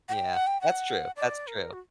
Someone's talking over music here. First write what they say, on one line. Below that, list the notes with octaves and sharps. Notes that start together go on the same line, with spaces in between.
Yeah, that's true, that's true.
F#5
G5
F#5
G5
F#5
D5
A#4
F#4